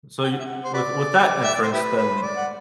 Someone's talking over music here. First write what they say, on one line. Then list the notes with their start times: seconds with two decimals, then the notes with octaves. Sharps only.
so you with with that inference, then
0.23 G5
0.31 F#5
0.39 E5
0.45 F#5
0.64 C5
0.74 F#4 B4 D5
1.43 E5
1.54 D5
1.62 C5
1.73 E4 G4 B4
1.97 B4
2.16 C5
2.22 D5
2.36 F#5